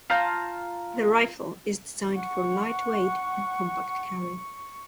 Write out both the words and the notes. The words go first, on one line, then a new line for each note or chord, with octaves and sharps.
The rifle is designed for light weight and compact carry.
F4 A5 A#5 G6
F#5 C#6